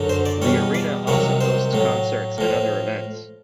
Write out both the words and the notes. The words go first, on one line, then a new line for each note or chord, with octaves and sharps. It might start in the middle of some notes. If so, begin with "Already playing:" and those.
The Arena also hosts concerts and other events.
Already playing: F#2 D3 F#3
C5
D5
E2 B2 G3 C#5
D5
C2 C3 D#3 F#3 C#5
C5
A2 F#3
A2 F3